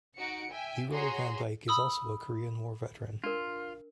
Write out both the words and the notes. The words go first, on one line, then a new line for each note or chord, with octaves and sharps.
Leroy Van Dyke is also a Korean War veteran.
D#4 F#4 F#5 C#7 D7
E5 G5 G#5
F#4 G#4 C#5 A#5 C6
B5 D#6 E6
D4 F4 A#4